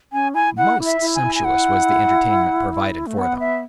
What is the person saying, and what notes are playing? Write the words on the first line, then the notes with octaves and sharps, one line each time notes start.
Most sumptuous was the entertainment provided for them.
C#4 G#5
E4 G#5
E4 F#5
E4
E5
E4
G#5
E4
G#5
F#5
A3
B3 F#5
E5